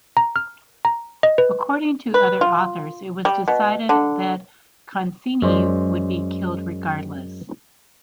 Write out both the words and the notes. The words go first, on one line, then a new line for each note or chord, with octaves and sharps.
According to other authors, it was decided that Concini would be killed regardless.
A#5
F6
A#5
D#5
B4
B4
F4
G3
B2
D3
F#2 G#3 C5 D5